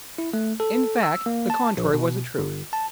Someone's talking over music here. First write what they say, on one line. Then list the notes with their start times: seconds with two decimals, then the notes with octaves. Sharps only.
In fact, the contrary was the truth.
0.18 E4
0.33 A3
0.60 A4
1.03 E6
1.26 A#3
1.50 A5
1.77 A#1
1.94 B2
2.38 G1
2.73 A5